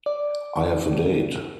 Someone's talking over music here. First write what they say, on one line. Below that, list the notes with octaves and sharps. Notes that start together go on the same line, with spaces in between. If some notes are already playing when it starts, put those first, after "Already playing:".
I have a date.
D5